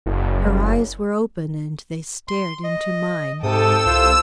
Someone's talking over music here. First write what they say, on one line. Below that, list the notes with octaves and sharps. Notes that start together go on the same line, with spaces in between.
Her eyes were open and they stared into mine.
F#1
C6
D#5
G#2 C3 A4 G5 D#6 E6
C2 F4 C5